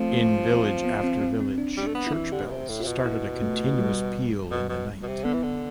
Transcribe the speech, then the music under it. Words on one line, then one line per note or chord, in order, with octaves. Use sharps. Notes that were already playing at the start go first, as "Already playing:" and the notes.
In village after village, church bells started a continuous peal in the night.
Already playing: F3 A3 C4
A3
B3
C4
C4
C4
D4
G3
D4
A3
B3
E4
E3
D3 G4
B2
C3
A2
F4
C3
B2
E4
A3
G3
B2
B2
B2
C3
D3 B3
E3
D3